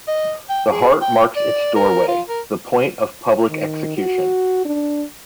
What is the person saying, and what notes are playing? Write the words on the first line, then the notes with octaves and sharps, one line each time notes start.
The heart marks its doorway: the point of public execution.
D#5
G5
G#4
G5
D5
A#4
F4
A#4
D#3
F#4
D4